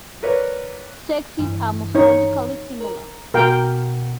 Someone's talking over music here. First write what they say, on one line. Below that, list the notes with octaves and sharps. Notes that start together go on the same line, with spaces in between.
Sexes are morphologically similar.
A#4 B4 C#5 D5
G2 E3
D#4 C#5
A#4
B2 F#4 A#4 F5 G5